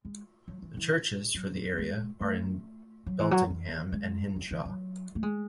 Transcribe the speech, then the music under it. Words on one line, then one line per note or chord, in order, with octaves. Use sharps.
The churches for the area are in Beltingham and Henshaw.
G#3
F#3
E3
E3
F#3
G#3
A3
F#3
E3
F#3
E3
G#3
F#3
E3
F#3
A3
G#3